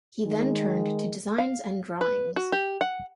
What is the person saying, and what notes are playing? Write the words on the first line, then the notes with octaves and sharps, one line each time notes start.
He then turned to designs and drawings.
D#3 G#3
F5
B4
F#4
G4
F#5